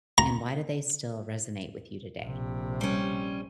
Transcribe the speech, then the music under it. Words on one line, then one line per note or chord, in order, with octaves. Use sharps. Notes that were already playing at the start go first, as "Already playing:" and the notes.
and why do they still resonate with you today?
A#5
A#1 C3
G3 C#4